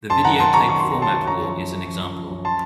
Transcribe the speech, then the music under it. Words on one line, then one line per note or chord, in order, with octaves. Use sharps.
The videotape format war is an example.
F#2 A5 C6
D#3 F#5 A#5
F#2 A5 C6
F#2 A#5 C#6
D#3 C#6
F#3 C6
A#5
F#3 A5 C6
F#3
F#2 A#5 C#6
F3
F#2
F#2
F3
F#2
F3
F#2
A5 C6